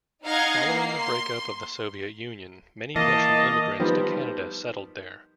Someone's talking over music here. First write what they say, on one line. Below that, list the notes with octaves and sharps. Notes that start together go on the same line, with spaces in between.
Following the breakup of the Soviet Union, many Russian immigrants to Canada settled there.
D#4 D#5 F5 F#5 G#6
A#3 C7
C6
E3 A#3 D#5 A5
D#3 F3 G3 B3